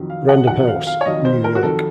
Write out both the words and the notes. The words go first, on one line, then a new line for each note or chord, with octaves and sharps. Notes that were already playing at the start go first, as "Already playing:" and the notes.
Random House.New York.
Already playing: F2 D#3 F#3
F5
F#5
F2 D#3 F#3 F#5
F5
F5
C#5
F2 D#3 F#3 D#5
C5
A#4
F#4
F2 D#3 F#3 A4